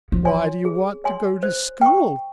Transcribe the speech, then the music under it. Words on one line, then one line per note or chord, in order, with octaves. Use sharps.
Why do you want to go to school?
F3
C#5 G#5 C6
G#4
C#5 G#5 C6
C5
G5 C#6